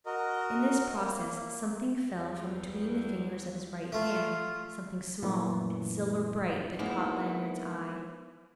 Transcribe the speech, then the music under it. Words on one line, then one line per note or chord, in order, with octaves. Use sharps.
In this process something fell from between the fingers of his right hand--something small and silver-bright that caught Lanyard's eye.
F#4 A#4 D#5
A#3
E2 G3
A3 F4
F#2 A#2 E3 A3
G#3 A#3 B3 D#4 E4